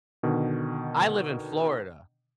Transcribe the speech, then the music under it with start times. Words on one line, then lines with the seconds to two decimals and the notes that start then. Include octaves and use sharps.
I live in Florida.
0.23 B2 D3 D#3